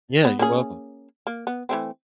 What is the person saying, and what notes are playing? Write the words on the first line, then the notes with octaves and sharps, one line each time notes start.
Yeah, you're welcome.
B3
A#3 C#4 G#4
A#3
B3
E3 A3 C4